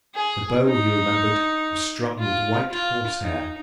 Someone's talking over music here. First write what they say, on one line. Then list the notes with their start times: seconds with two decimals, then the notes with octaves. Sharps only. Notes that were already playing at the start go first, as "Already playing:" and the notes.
The bow, he remembered, was strung with white horsehair.
0.15 G#4
0.66 D#4
2.19 F4
2.71 F4
3.22 D#4